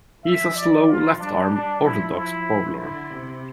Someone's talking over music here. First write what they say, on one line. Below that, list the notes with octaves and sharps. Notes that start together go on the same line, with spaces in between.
He is a slow left-arm orthodox bowler.
F3 E5
D5
F4
G3 D4
D4
F3 E4
F3 E4
D3 E4
C3